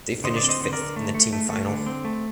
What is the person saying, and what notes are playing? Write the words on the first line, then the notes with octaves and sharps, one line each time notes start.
They finished fifth in the team final.
D3 C5 D#5
D5
C4
C5 D#5
D3 C5
A#4 D5
D3
A3
A3
A3
A3
D3
C4
A3